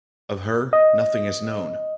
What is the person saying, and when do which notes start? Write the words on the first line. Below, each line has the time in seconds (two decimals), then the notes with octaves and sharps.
Of her, nothing is known.
0.73 D#5